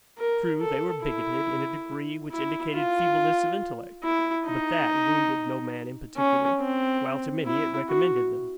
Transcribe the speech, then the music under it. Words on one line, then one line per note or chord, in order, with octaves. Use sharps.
True, they were bigoted in a degree which indicated feebleness of intellect; but THAT wounded no man in particular, while to many it recommended them.
A#4
A4
E4
E4
F4
E4
D#4
C#4
C4
E4
F#4